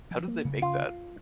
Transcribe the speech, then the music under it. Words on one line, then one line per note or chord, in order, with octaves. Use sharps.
How did they make that?
F3
A#3
C#3
C#3 F4